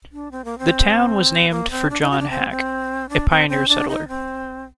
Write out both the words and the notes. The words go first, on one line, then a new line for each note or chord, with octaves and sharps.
The town was named for John Hack, a pioneer settler.
D4
C4
A#3
C4
A#3
C4
D4
D#4
F#4
D4
C4
C4
D4
C4
C4
D4
D#4
C4